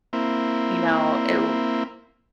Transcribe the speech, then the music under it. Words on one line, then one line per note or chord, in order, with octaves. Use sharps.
You know, it w
A#3 C4 E4